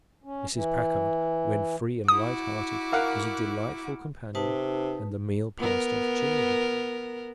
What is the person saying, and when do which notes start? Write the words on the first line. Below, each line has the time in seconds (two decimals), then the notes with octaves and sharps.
Mrs. Packard, when free and light-hearted, was a delightful companion and the meal passed off cheerily.
0.24 C#4
0.53 E3
2.08 E4 F#4 D6 D#6
2.92 A#4 F5 F#5
4.35 C3 D#4 B4 A5
5.59 B3 A#4